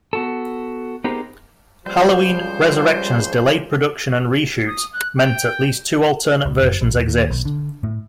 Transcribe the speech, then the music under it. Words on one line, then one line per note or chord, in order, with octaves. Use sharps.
Halloween: Resurrection's delayed production and reshoots meant at least two alternate versions exist.
B3 F#4 A4
B3 D#4 G4 G#4 A#4 C5
C#2 F3 G3 C5
D#6
F#6
G5
C#2
F#1
A#1
D#1
D#2
B1
D3
A2